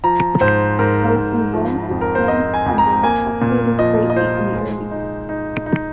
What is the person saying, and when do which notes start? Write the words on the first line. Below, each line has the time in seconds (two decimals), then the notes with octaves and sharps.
Both enrollment and funding fluctuated greatly in the early years.
0.04 F3 A#5
0.41 G#2 C5
0.79 G#2 A#4
1.16 G#2
1.54 F3
1.91 F2
2.01 A#4
2.15 C5
2.28 C4 D#5
2.54 G#5
2.66 F2
2.78 A#5
3.03 A#3 G#5
3.41 A#2
3.79 F3 D#5
4.10 D#5
4.16 F4 C5
4.54 G#3
4.91 D#4
5.29 D#4
5.66 D#4